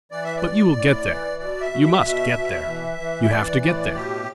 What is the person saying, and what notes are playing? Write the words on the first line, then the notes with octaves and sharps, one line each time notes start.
But you will get there; you must get there; you have to get there.
E3 D5
E5
D5
A2
A2
E3
B2 D5
E5
B2
E5
B2
B2
E3
E3
E5
E3 D5
A2 D5
B2 G4